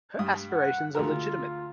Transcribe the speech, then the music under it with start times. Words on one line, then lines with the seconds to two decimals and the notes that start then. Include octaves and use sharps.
Her aspirations are legitimate.
0.19 G2 D#6
0.52 F#5
0.95 D2 G#3 F4 A#4